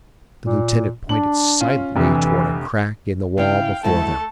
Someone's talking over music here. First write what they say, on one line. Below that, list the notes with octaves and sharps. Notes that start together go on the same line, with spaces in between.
The lieutenant pointed silently toward a crack in the wall before them.
A#2
D4 F#7
C#4 F4
F1 C2 D3 E3
C#3 E4 F5 G5
D2 G#3 A3 E4 A4 A5